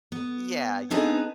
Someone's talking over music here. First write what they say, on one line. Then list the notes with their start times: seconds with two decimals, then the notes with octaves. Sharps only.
Yeah, yeah.
0.12 B3
0.90 B3 C4 D4 D#4 G#4 B4